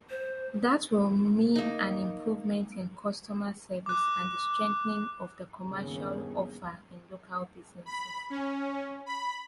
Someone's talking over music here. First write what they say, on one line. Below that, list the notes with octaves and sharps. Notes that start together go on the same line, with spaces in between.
That will mean an improvement in customer service and the strengthening of the commercial offer in local businesses.
C5
A#3 D#4
D6 F#6
G1 D#2 C#3
B5
C#4
B5